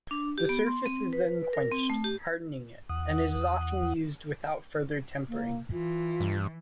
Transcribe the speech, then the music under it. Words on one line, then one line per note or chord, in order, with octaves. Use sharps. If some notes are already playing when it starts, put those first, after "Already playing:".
The surface is then quenched, hardening it, and is often used without further tempering.
D4
G4
B3
C6
C4
B4
A#4
C4
A3
G4
E2 F#5 D#6
A#3
E3 F4
G2